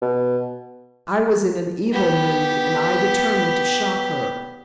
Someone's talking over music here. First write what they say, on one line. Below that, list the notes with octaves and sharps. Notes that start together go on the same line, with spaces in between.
I was in an evil mood, and I determined to shock her.
B2
B3 G4